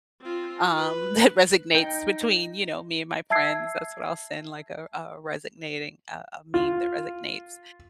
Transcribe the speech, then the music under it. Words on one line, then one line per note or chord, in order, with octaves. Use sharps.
um, that resonates between, you know, me and my friends, that's what I'll send, like, a a resonating a a meme that resonates.
C4 F4
B4
D#4 G5
E5 A5 E6 G#6 C7
F4